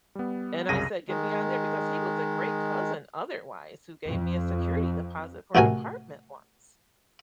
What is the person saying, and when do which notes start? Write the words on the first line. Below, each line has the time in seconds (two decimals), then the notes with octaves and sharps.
and I said, "Get me on there." Because he was a great cousin otherwise who gave me a security deposit for an apartment once,
0.15 G3 B3
0.69 C2 F#2 C#3 G#4 A#6 D#7
1.09 D#3 G#3
4.05 F2
5.55 A1 C3 F#4 A#4 G#5